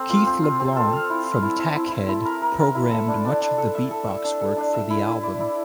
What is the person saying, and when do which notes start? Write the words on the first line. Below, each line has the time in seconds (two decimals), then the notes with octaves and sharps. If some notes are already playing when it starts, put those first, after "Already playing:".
Keith LeBlanc from Tackhead programmed much of the beatbox work for the album.
Already playing: C4 A4
0.10 F4
0.26 C4
0.43 F4
0.60 C4
0.77 A4
0.93 F5
1.10 E4
1.26 F5
1.43 E4
1.59 E4
1.75 E4
1.92 E4
2.09 E4
2.25 A#4
2.42 A#4
2.59 A#4
2.75 E4
2.92 A4
3.08 D4
3.25 D4
3.41 D4
3.58 A4
3.75 E5
3.91 A4
4.07 E5
4.24 D4
4.41 A4
4.57 D4
4.74 E5
4.90 E4
5.06 E4
5.23 D5
5.40 E4